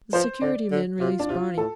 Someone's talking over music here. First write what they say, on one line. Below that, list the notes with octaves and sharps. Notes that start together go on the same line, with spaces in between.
The security men released Barney.
F3 C5
D3 D5
D3
C3 F4
D4
C3 F4
A2 A4